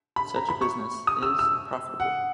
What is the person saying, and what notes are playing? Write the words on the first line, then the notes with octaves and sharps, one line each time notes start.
Such a business is profitable.
B5
A#5
B5
C#6
D#6
E6
E6
F#5